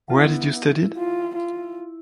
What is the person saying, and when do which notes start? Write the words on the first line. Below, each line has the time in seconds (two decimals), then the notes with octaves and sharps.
Where did you studied?
0.10 F4
0.17 B3 E4
0.97 F4
1.35 F4